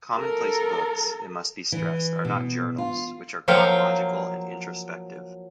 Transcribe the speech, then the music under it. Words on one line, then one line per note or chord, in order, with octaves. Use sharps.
Commonplace books, it must be stressed, are not journals, which are chronological and introspective.
A4 A#4
E3
B2
F4
F3 F#3 A#3 F5 G5